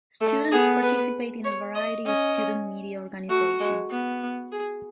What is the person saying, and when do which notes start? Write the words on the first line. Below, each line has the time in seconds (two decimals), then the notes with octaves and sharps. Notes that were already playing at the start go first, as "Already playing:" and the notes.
Students participate in a variety of student media organizations.
0.21 A3 A4
0.52 B3 G#4
0.83 B4
1.44 C#5
1.75 D#5
2.05 C#4 D#5
3.29 A3 F#4
3.60 G#3
3.91 B3
4.52 G#4